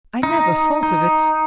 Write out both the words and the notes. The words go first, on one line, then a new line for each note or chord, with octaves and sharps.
"I never thought of it."
D#4
D#4